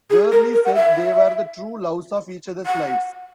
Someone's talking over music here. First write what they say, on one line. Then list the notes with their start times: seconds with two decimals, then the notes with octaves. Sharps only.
Birley said they were "the true loves of each other's lives".
0.10 G#4
0.32 A#4
0.53 A#4
0.65 F#5
0.74 E5
2.66 F#5